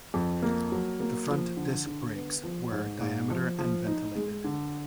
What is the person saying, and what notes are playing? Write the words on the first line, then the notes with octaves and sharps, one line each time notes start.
The front disc brakes were diameter and ventilated.
F2
A#3
F#3
A#3
F3
D3
D3
B3
F3
G#2
G#2
F3
F3
D#4
G#3
D3